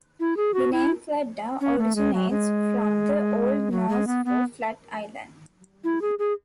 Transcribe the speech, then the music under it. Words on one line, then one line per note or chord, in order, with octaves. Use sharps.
The name Fladda originates from the Old Norse for 'flat island'.
E4
G#4
F#4
E4
C#4
A3
G#3
F#3
G#3
F#3
G#3
B3
B3
E4
G#4
G#4